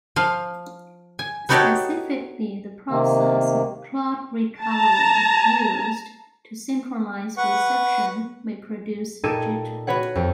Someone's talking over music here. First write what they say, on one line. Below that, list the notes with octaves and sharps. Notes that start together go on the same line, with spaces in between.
Specifically the process of clock recovery used to synchronize reception may produce jitter.
F3 F5
G#5
B3 D#4 F#4 G4 A4 C#5
C3 D#3 A#3
A5 A#5
B4 F#5 C#6
A#2 D#4 G4 A4 G#6 D#7
B3 F#4 B4 C#5 F#5
F2